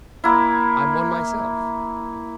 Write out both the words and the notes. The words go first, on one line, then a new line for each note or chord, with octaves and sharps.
"I'm one myself."
A#3 E4